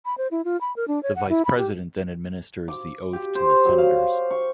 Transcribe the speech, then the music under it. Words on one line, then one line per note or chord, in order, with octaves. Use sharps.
The Vice President then administers the oath to the Senators.
B5
C5
E4
F4
B5
A#4
D4
C#5
F#5
E4
B5
G4
D6
G4
C5
F#3
F5
C#6